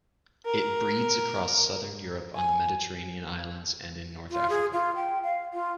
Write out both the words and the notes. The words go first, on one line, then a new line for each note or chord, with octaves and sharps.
It breeds across southern Europe, on the Mediterranean islands and in north Africa.
A#4
G#5
F4
G#4
F4
G5
F5
F4